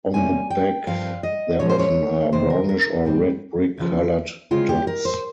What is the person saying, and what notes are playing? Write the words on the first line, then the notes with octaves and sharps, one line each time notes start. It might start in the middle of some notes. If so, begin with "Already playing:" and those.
On the back there often are brownish or red-brick coloured dots.
C3 G3 A#3 C#4 G#5
G5
G2 F3 C4 F5
D#5
A#2 F3 G#3 C#4 C#5
C5
C#5
F2 C3 D#3 C5
A#4
A#4
G#2 G3 C4
D#2 C#3 F3
C#3 G#3 C4 F4
G4
A#4
C5